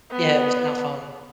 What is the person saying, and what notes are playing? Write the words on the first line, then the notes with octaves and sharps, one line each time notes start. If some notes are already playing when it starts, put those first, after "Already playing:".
Yeah, it was not fun.
B3